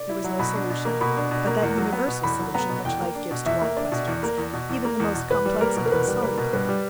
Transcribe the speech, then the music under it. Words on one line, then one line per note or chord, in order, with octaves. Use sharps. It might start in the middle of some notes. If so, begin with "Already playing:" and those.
There was no solution, but that universal solution which life gives to all questions, even the most complex and insoluble.
Already playing: D5
E4
F#3
B2 B5
D4
B2
A#3
B2 B5
D4
B2
A#3
E2
F#3
B3
B2
E2 B5
F#3
B3 A#5
B2
E2 G5
A#3
D4
B2
E2 E5
A#3
D4 D5
B2
E2
A#3
E2
B2
E2
A#3
E2
B2
E2 B4
G3
A#3 A#4
B2
A#4
E2 B4
G3
A#3 B4
B2
G2 B4
G3